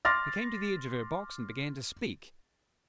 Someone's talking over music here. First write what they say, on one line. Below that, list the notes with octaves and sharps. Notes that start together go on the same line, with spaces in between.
He came to the edge of her box, and began to speak.
C6 D6 F6 A6 A#6